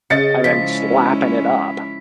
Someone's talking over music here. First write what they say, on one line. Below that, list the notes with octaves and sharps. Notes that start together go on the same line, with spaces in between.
I'm I'm just lapping it up.
C#3 D#5 A6 C#7
F3 G#3 C#4 E4 B6